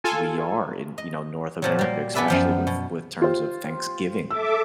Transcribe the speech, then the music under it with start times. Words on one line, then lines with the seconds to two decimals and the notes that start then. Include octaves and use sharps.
we are in, you know, North America, especially with with terms of Thanksgiving.
0.04 F4 A4 G#5
0.98 D#5
1.62 A#2 F3 F#3
1.79 G3 A#3
2.14 B3 G#4 B4 D5 E5 A5
2.28 F#2 F3 G5
2.67 B2
3.22 F4 G4 C5
4.31 A4 E5 D6 E6